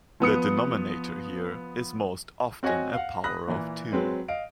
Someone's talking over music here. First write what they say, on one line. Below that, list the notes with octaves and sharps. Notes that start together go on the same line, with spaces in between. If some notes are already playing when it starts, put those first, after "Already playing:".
The denominator here is most often a power of two.
F3 B3 D#6 C#7
C4 F#4 C#5 D#5 G#5 A#6
F5 F#5
B5 D#6 F#6 A#6
A#2 E3
F#3 G#3 C4 B4
D#5 F5 D7